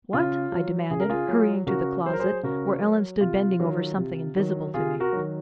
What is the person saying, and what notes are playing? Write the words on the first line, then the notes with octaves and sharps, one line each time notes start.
"What?" I demanded, hurrying to the closet, where Ellen stood bending over something invisible to me.
C#3 F4
F#3
C#3 G#4
A#4
F4 G#4
F#3
C#3 F#4 A#4
F#3 C5
A#4
G#4 C5
C#3 F#4 A#4
F#3
C3 F4
D#3 F#3
C3
D#3 F#3
C3 F4 G#4
F#4 A#4
D#3 F#3